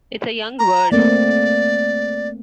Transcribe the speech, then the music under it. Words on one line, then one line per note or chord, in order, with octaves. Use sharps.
It's a young word.
A#5
A3 A#3 C4 D5